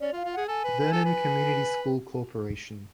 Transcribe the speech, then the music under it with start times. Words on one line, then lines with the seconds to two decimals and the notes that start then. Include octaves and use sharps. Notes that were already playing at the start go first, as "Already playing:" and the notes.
Vernon Community School Corporation.
0.01 C#4 D5
0.13 F4
0.16 F5
0.25 F4
0.33 G#4 F#5
0.48 A4 G#5
0.64 B4
0.80 B4
0.92 A4
1.05 B4